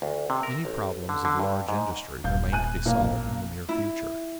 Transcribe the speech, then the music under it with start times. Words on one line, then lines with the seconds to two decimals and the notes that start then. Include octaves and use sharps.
Many problems of large industry remain to be solved in the near future.
0.02 D2
0.30 C3
0.43 A#4
0.65 A1
1.09 D3
1.25 D3
1.39 G2
1.69 G#2
2.24 D#1 F5 G6
2.52 G#5 F#6 D#7
2.85 B1 A#3
3.01 A1 A#2
3.69 E4